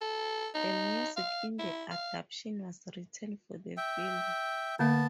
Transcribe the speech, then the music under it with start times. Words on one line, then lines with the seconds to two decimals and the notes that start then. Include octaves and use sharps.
The music in the adaptation was written for the film.
0.02 A4
0.55 D#4
1.16 F5
1.59 E4
1.91 F5
3.77 E5 G5
4.79 D3 A#3 B3 E5 A5